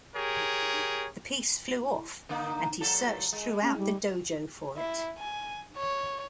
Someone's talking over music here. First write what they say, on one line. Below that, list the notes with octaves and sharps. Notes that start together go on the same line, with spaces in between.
The piece flew off, and he searched throughout the dojo for it.
G4 G#4 A#4 C#5
D3 A#3 D#4
A#2 F#3 A4
G#3
C#4
G3
E4
G#5
C#5